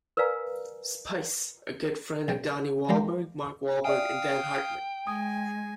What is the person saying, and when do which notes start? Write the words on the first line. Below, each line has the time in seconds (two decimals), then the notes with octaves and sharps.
Spice, a good friend of Donnie Wahlberg, Mark Wahlberg, and Dan Hartman.
0.17 A#4 B4 D5 F5 G#5 A#5
2.28 B1 D#5 G5
2.89 G3 G#3 A#3 G4
3.85 D5 E5 F5 G5 G#5 D#6
5.07 G#3 G#5 D#6